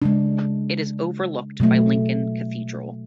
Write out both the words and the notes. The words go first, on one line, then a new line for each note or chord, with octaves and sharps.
It is overlooked by Lincoln Cathedral.
C#3 G#3 D4
B2 F#3 A3